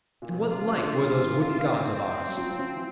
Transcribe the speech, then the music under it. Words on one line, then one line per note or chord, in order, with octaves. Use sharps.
And what like were those wooden gods of ours?
A#2
B2
C3
C#3 F4
D3
E3
D#3
E3
C4
F#3
F3
F#3
F3
E3